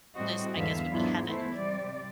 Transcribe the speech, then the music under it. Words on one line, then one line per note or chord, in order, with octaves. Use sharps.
this, I guess, would be heaven.
A2 G3 C4 F#4 D#5
E2 G#2 D3 B3 E5 F5
G#2 F#3 B3 D4 E4 F4
E3 A3 B3 E4 C5
C3 G3 C4 D5